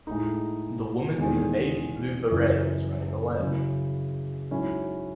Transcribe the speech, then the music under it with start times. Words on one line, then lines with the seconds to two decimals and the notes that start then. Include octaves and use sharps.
The woman in the navy blue beret was running away.
0.07 A2 G#3 D#4
1.18 E2 D#3 G#3
2.30 F#2 C#3 E3
3.40 C#3 F#3 C#4 E4
4.51 G#2 F#3 C#4 E4